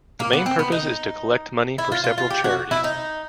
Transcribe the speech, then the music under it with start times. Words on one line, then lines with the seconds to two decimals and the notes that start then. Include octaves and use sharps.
The main purpose is to collect money for several charities.
0.20 A#3
0.33 B3
0.46 C4
0.59 B3
0.72 D#4
1.78 E4
1.92 F4
2.04 F4
2.18 F4
2.30 G4
2.44 F#4
2.71 E4
2.84 D#4